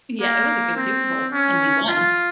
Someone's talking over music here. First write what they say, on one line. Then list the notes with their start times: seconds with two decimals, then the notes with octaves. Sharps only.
Yeah, it was a good Super Bowl, and we won.
0.21 A#3
0.76 C4
1.32 C#4
1.88 F4